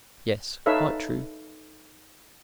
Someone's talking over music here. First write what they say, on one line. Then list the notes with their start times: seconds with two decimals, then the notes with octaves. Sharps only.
"Yes, quite true."
0.66 D#4 A4 B4 C#5 E5 F5